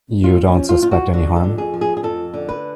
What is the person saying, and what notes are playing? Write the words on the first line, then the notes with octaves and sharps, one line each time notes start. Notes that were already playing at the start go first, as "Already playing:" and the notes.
You don't suspect any harm?
F2 F4
C#4
F3
F4
F2 F4
F#4
D3 F#4
A4
F2
G#4
F3
G#4
G#4
F2 A4
D3
B4